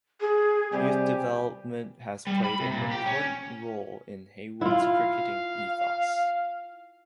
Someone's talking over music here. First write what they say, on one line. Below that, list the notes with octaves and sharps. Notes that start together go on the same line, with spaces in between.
Youth development has played an important role in Heywood's cricketing ethos.
G#4
C3 G3 G4 G#5
G3
B5
C3
A#2
G4
C#4
E4 F4 F5